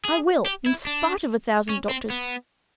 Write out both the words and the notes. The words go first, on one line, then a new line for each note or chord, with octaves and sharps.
I will, in spite of a thousand doctors.
G#4
G4
E4
D4
C#4
C4
B3